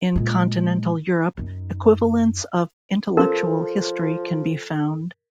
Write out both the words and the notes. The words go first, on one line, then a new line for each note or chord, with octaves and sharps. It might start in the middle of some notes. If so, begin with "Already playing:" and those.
In continental Europe, equivalents of intellectual history can be found.
A#2 G#3
F#2 D#4
F3 B3 C#4 G4 A4 A#4